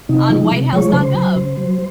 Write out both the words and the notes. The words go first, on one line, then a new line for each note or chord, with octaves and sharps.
On whitehouse.gov.
C3 D#4
F3 G#3
C3
F3 G#3 C#5
C#3 C5
F#3
C#3
F#3